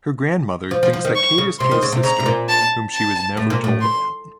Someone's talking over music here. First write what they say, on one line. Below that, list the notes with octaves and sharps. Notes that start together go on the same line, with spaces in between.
Her grandmother thinks that Kate is Kaye's sister whom she was never told about.
F3
F3
F3
D#3
C#6
C#3
C3 C6
D#3
C#3
C3
C#3 A#5
C3
A#2
A5
A5
A2
A#2
A2
C6